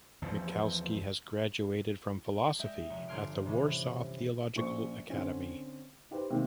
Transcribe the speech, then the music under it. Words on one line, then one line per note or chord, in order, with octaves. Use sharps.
Michalski has graduated from philosophy at the Warsaw Theological Academy.
E2 C#3 F3
G#3 D#5 E5 G5
F1
G1 G#5 C6 F6 D7
C3 E3 C#4
A#1 C#3 C5 C#6 C#7
D3 C4 C#4
D#4 G4 B4 C5
C3 D#3 G#3 A#3